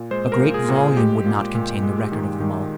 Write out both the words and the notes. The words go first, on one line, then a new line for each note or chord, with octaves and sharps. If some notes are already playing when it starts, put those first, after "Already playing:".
A great volume would not contain the record of them all.
Already playing: A#2
G#3 C5
A#4
A#2
G#4
A#2
G#4
G#3 G4
A#2
A#2
G#3
D#3
D#3